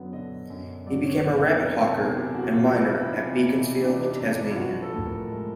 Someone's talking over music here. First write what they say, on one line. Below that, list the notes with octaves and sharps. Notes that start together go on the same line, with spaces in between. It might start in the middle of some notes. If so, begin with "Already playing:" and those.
He became a rabbit-hawker and miner at Beaconsfield, Tasmania.
Already playing: F#2 D3 F#3 B3
D3 D#5
F#2
F#3 D5
C#5
B3 B4
A#4
C3 A#4
A4
E2 G#4
G4
E3 F#4
F4
G3 E4
E4
C3 D#4
E2
E3 D4
D#4
G3 D4
F4
F3 F#4
A4
A2
A#4
G#3